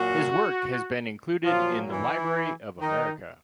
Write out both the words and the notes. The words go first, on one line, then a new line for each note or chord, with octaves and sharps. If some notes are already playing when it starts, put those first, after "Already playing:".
His work has been included in the Library of America.
Already playing: A#2 F#3 F#4
A#2 F3 F#3 F4
E3 E4
D#3 D#4